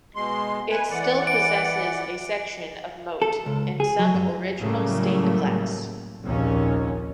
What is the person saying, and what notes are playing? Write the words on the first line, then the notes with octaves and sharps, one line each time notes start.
It still possesses a section of moat and some original stained glass.
B2 G#3 C6
B4 G#5
E3 D5 F#5
D7
A4
C#2
G#4
F#3
F#2
A2 C#3 F#3 G3 A3 A#3
F1 A#1 D#2 A#2 C#4